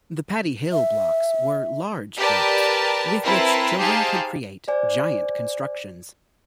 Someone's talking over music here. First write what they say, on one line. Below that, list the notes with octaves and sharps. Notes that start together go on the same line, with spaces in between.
The Patty Hill blocks were large blocks with which children could create giant constructions.
E5
G4 A#4 B4 D5 A5
C4 E4 A#4 B4 A5 C6
D#4 G4 G#4 C5 F5 A5
C5 D5 G#5